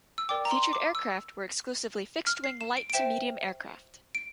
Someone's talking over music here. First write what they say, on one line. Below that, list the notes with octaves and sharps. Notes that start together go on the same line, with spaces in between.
Featured aircraft were exclusively fixed-wing light to medium aircraft.
E6
A#4 D5 G5 D6
A#5
C6
D6
E6
F6
C7
E7
D7
D7
C5 E5 G5 E7
D7